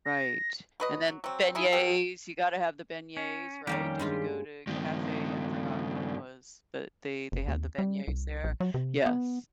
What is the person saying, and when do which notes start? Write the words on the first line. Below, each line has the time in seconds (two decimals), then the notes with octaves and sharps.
Right, and then beignets, you gotta have the beignets, right, did you go to cafe I forgot what it was, but they they had the beignets there, yes.
0.06 A#6
0.80 F#3 B4 D#5
1.08 F#3
1.24 F#3 C4
1.55 D#4 E4 G#4
1.72 B2 F#4 G4 A4
3.17 C#4
3.67 F2 D#3 G3 A#3 C#4 G4
3.99 G2 G#3 F4
4.67 G2 D#3
7.32 F#1
7.48 D#2
7.78 G3
8.08 C2
8.44 A#1
8.60 F#3
8.74 C3
9.06 B3